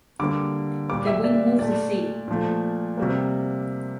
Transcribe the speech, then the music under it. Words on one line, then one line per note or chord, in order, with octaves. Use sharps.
The wind moves the sea.
D3 G3 A#3 D6
A#2 G3 A#3 D6
E5
D5
A#2 A3 D5
A#2 F3 A3
C3 G3 A#3